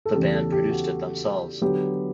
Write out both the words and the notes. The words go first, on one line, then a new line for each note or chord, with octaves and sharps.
The band produced it themselves.
A4
E2 C#3 E3 A3 C#4 G4
A4
G4
F#4
D3 F#3 B3 G4